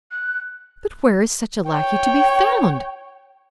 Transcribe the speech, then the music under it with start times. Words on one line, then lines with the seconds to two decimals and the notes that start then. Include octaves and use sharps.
"But where is such a lackey to be found?"
0.11 F#6
1.69 C#5 G5